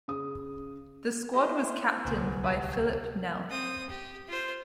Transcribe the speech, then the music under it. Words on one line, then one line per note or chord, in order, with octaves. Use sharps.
The squad was captained by Philip Nel.
C#3 D#6
A3 E4 G4 C5 D#5
D1 C2 A#2 D3 B3 G#4 C5 G#5
G4 B4 A5
C4 D#6
G4
F4 C5